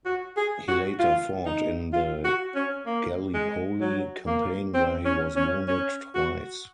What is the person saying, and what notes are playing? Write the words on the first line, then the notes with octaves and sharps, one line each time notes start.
He later fought in the Gallipoli campaign where he was wounded twice.
F#4
G#4
F#4
F4
D#4
F4
F#4
C#4
A#3
G#3
F#3
A#3
C4
C#4
C#4
C#4
F#4